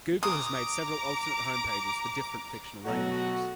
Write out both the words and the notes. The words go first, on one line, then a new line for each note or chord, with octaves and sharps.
Google has made several alternate homepages for different fictional languages.
A#5 D6 D#6
B2 F#3 A3 F#4